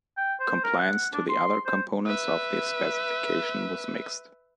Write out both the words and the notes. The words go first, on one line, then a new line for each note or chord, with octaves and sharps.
Compliance to the other components of the specification was mixed.
G5
C5
A#4
F#5
D4
C6
C5
B4 E5